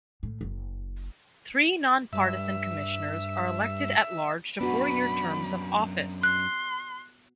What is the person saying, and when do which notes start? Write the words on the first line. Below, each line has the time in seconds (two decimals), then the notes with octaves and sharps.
Three non-partisan commissioners are elected at-large to four-year terms of office.
0.23 A2
0.41 F#1
2.13 G2 E5
4.61 F#2 B3 D4 F#4 B5
6.23 C6 F#6